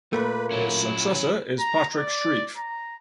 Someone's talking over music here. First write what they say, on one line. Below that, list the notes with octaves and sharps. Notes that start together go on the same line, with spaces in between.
His successor is Patrick Streiff.
A#2 A3 A#3 B4
F#3 C#4 E4
A#5
D5
A#5